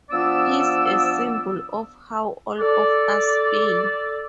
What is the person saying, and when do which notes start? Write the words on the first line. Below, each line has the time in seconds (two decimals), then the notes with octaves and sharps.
He's a symbol of how all of us feel.
0.11 F3 B3 D4 D5 E6
2.60 A4 D5